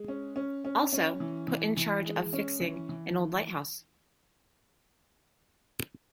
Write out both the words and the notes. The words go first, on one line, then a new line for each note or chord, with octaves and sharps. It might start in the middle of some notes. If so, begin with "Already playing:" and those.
Also put in charge of fixing an old lighthouse.
Already playing: G#3
C#4
C#4
C#4
C#4
E3
E3
E3
G#3
C#4
E3
E3